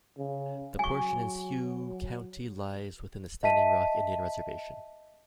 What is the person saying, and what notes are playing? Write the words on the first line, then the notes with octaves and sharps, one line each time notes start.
The portion in Sioux County lies within the Standing Rock Indian Reservation.
C#3
F#3 G#5 C#6
D#5 E5 A5 B6 D#7